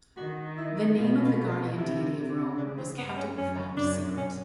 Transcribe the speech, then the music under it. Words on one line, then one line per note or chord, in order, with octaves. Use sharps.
The name of the guardian deity of Rome was kept a profound secret.
D#3 F#4
E4
B2 F4
F4
F4
C3 E4
C3
C#3 D4
C4
G2 B3
C#4
F#2 C#4
F#2 D4
C#4